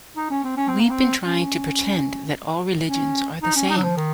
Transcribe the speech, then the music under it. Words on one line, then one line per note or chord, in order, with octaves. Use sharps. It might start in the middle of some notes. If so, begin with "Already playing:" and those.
We've been trying to pretend that all religions are the same.
D#4
C#4
C4
C#4
C4
A#3
C4
C#4
C#4
D#4
C#4
D#4
F#3
F3
D#3